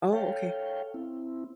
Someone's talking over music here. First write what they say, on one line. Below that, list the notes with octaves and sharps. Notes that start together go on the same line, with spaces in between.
Oh, okay.
A4 C#5 F5 G5
C4 E4